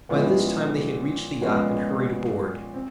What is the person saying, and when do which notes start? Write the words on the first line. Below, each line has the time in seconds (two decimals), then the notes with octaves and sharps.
By this time they had reached the yacht and hurried aboard.
0.09 A#2 F3 G#3 B3 C#4 E4
1.42 A#2 F3 G#3 B3 C#4
2.74 C4